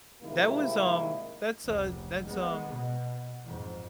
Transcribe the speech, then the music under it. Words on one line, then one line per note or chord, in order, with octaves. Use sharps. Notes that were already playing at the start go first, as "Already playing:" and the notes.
That was, um, that's a that's, um
G#2 C3 D#3 G3 A#3 E4
F1 C#2
G#3 B3
B2
F2 G#2